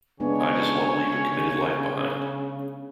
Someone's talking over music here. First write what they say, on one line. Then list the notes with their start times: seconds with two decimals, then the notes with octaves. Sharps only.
I just want to leave a committed life behind.
0.20 C#3 G#3 B3 D4 C#5 G#5